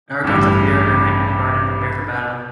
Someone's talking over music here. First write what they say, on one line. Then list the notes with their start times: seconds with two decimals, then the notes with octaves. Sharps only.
Eragon, Saphira, Arya, and the Varden prepare for battle.
0.24 A1 G2